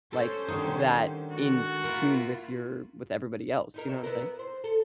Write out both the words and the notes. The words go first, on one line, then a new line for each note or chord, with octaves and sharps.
like, that in tune with your with everybody else do you know what I'm saying?
C#4 G4 A4 C5
D3 D#3 G3 D#4
G#3 F#4 A4
A#3 E4 F4 A#4
D#4 E4 A#4
B2 C#5 E5
B3 E4 A#4
C5
A4